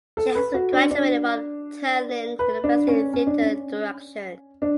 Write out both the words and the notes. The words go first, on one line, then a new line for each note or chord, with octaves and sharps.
She has graduated from Tallinn University in theatre direction.
A4
B4
F#4
D4
D4
B4
D4
C#4
C#4
D4
C#4
D4